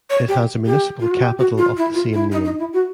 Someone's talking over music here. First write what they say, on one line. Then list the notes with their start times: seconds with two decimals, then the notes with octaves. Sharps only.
It has a municipal capital of the same name.
0.10 C#5
0.28 G4
0.66 G4
1.00 F4
1.11 F#4
1.21 G4
1.39 F#4
1.58 F4
1.77 E4
1.94 F4
2.13 E4
2.32 D#4
2.44 D#4
2.59 E4
2.73 F#4